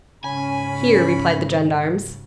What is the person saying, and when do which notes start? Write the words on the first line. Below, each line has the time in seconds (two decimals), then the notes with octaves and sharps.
"Here," replied the gendarmes.
0.24 G#2 C#3 C#4 G#5 B5